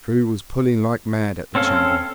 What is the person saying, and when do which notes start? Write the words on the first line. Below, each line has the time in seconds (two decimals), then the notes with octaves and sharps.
True was pulling like mad at the chain.
1.55 C4 C#4 A4 F5